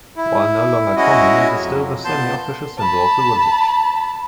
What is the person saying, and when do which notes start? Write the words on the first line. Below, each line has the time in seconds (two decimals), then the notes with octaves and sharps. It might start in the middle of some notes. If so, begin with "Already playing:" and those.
While no longer common it is still the semi-official symbol of the village.
0.17 E4
0.97 G#3 C#4 E4 F#4 D#5
1.56 F2 F#3
2.05 A#2 B3 A5 C6 G6
2.77 A5 B5